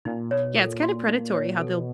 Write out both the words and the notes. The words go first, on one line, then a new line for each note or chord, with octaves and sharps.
Yeah, it's kinda predatory how they'll
A#2 D#4
B2 C#5
A#2 A4
F#4
D#4
C#5
B2 A4